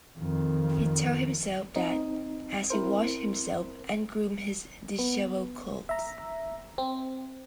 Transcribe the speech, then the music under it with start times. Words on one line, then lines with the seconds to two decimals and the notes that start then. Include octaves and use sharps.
He told himself that as he washed himself and groomed his disheveled clothes.
0.19 F2 D#3
1.76 C4 D#4
2.70 C4 E4 A#4 C5
4.99 B3
5.89 E5 A#5
6.78 C4